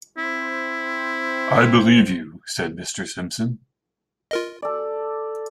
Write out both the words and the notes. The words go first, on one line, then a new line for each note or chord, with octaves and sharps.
"I believe you," said Mr. Simpson.
C4 E4 C5
F4 A#4 D#5
A4 D5